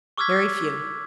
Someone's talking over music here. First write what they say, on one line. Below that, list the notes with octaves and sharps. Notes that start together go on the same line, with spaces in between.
"Very few."
C#6 D6 E6 F6 G#6 B6